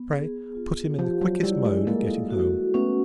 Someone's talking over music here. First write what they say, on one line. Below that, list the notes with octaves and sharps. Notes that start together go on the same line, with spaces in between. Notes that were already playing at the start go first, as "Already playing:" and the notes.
Pray, put him in the quickest mode of getting home.
Already playing: B3
G#4
F4
F3 G4
F#3
G3 E4
G#3
G#3 A#3 A4
F#4
A3 B3 C#4